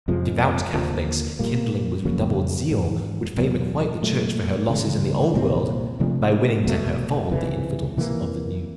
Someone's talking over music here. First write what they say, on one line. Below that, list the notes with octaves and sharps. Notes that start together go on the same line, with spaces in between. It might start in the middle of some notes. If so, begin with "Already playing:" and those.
Devout Catholics, kindling with redoubled zeal, would fain requite the Church for her losses in the Old World by winning to her fold the infidels of the New.
F2 C3 F3 G#3
D#2 D3 F3 A#3
A#2 G3 A#3
F2 C#3 F#3 A#3
G#2 E3 G3
E2 B2 F#3
A#2 F#3 A3
D2 C#3 E3 G#3
C2 A#2 G3 C4
C3 F3 A3 D4
C2 B2 F#3 A3
C#2 C3 E3
C3 E3 G3 A#3